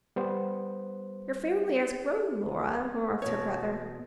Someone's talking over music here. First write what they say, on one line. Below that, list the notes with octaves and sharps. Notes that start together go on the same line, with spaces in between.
"Your family has grown, Lora," remarked her brother.
G3 B3 C5
E2 B2 C#5